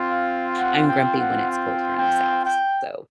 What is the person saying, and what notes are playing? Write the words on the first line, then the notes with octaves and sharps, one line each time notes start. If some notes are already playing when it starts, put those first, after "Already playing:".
I'm grumpy when it's cold here in the South, s so
Already playing: C4 F4
F5
F#5
G5
F#5
G5
G5
G5